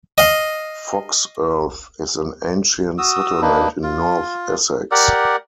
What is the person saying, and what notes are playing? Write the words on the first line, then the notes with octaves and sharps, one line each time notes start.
Foxearth is an ancient settlement in north Essex.
D#5 F5
F#4 D#6 E6
A#3 D4 D#4 B4
F4
G4 A#4 D5 F#5